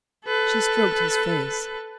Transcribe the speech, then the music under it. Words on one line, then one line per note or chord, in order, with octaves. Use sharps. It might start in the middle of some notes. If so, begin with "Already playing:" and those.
She stroked his face.
A4 B4